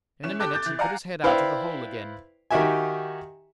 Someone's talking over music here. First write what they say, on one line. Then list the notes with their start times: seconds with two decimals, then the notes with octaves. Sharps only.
In a minute he put his head out of the hole again.
0.24 E3 C#4 E7
0.40 G4 A4 D6 F#6
0.54 D6 G6 A6
0.66 E3
0.79 D5 F5 F#5 G#5 A#5
1.24 E4 B4 C5 D5 F5 G5
2.51 D#3 D#4 F#4 G4 E5 G#5